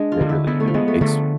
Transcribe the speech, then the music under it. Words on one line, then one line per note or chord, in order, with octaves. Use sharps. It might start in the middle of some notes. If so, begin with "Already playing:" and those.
they really do. Ex
Already playing: G#3 D4
F4
D3
E4
B3 E4
A3
F3
G#3 B3
A3
D3 A3